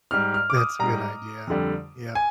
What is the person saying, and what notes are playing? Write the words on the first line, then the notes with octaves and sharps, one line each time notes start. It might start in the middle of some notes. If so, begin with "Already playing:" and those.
That's a good idea. Yep.
G#2 G3 F6
F6
D6
D#6
G#2 G3 A#5
F2 D3 G3
G#5